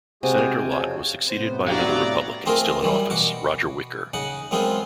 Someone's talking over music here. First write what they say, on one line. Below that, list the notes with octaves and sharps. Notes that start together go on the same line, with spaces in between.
Senator Lott was succeeded by another Republican still in office, Roger Wicker.
C3 G#3 F#4 G#4
G#5
F2 C#3 A4 C#5
A2 C3 B3 C5
F#3 D4 G4 D5 F5 A#5
A3 C4 F4 G#4 A#4
F#2 E3 G3
B2 F#4 D6
C#3 D#4 F#5
F#2 G#3 B3 C4 F4